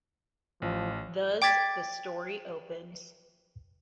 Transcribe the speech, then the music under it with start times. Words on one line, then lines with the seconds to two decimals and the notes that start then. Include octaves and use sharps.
Thus, the story opens.
0.62 A1 F3
1.42 G5 D6 G#6 A6 B6